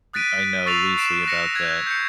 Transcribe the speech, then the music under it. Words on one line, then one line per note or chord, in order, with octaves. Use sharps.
I know loosely about that.
D#6 F#6 A6 B6 D7 D#7
C#6 E6 A6 C7 F7
C7 D7 E7
F#6 A#6 C#7
F#6 G#6 F7
G6 C7 C#7